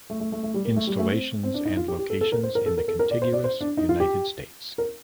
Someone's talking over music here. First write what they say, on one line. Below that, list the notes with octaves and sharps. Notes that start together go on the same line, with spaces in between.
Installations and locations in the contiguous United States.
A3
A3
A3
A3
G3
A#3
A3
G3
A3
C4
C4
D4
D#4
F4
G4
G4
A4
A4
A#4
C5
A#4
A4
A#4
A4
A#4
D5
C5
D5
C5
D4
D#4
F4
G4
A#4